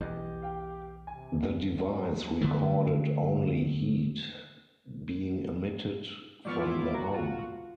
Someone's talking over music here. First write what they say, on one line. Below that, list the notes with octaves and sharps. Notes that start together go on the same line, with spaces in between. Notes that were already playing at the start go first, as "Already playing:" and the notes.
The device recorded only heat being emitted from the home.
B1 E2 G4 D#5
F5 G5
C3 G#5
D3 F#3 A3
G#2 F3 B3 D5 C#6 F6
E4 F4 D6
F#4 A#4
F4